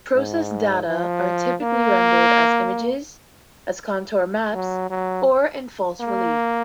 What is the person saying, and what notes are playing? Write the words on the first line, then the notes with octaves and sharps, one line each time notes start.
Processed data are typically rendered as images, as contour maps, or in false relief.
G#2
F3
A#3
F#3
F#3
A#3